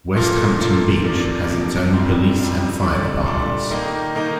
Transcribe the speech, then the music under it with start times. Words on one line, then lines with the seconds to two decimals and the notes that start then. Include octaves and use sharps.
Westhampton Beach has its own police and fire departments.
0.16 A#2 F3 A#3 F4 A4
0.60 A#2 F3 A#3 F4 A4
1.05 C3 F3 A#3 D4
1.49 C3 F3 A#3 D4
1.93 F2 C3 G3 C4 F4
2.38 F2 C3 G3 C4 F4
2.82 A#2 G3 D4 A4
3.26 A#2 G3 D4 A4
3.70 D#3 A#3 D#4 A#4
4.15 D#3 A#3 D#4 A#4